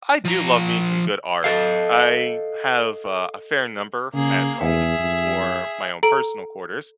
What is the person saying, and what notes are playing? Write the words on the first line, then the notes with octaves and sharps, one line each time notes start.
I do love me some good art. I have a a fair number at home for my own personal quarters.
F3 A#5
A4 D#5 F5
C#3 A#3 G#4
E2 G#4 E5
F2
A4 A#5 D7 F#7